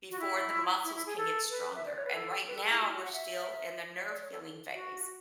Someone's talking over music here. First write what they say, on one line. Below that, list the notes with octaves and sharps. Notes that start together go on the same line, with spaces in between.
before the muscles can get stronger. And right now, we're still in the nerve healing phase."
F#4
E4
E4
E4
G#4
A4
B4
E5
D5
C#5
B4
A4
B4
A4
G#4
E4
F#4
E4
F#4
F#5
E5
E5
D5
C#5
A4
F#4
F#4